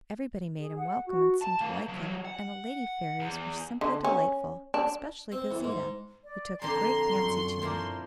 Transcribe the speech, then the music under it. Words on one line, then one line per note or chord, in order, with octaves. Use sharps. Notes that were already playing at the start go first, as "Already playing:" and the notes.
Everybody made him welcome and seemed to like him, and the lady fairies were simply delightful, especially Gauzita, who took a great fancy to him.
G#4
F#5
F#4
A5
A3 F5
F3 F#3
F#5
E2
D3
C#4
D4
C4
E2
G#2
D5
F2 A#2 D3 A#5 C6
F#2 C#6
A#2 F3 E4 A#4